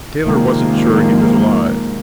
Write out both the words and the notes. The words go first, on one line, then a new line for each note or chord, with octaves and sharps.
Taylor wasn't sure he was alive.
C3 D#3 F3 G#3 A#3